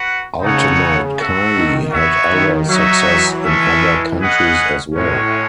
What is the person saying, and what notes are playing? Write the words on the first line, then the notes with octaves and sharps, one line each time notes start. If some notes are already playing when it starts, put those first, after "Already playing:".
"Ultimate Kylie" had other success in other countries as well.
Already playing: F#4 B4 F#5
C#3 B3 D#4 A4 C#5 F#5
F#4 A4 E5
D#3
B3 F#4 C#5 E5
D#3
F#3 D#4 F#4 C#5 E5
E3
E3 G#3 C#4 E4 A4 E5
C#4 G#4 B4 D#5 F#5
A2 G#3 C#4 F#4 C#5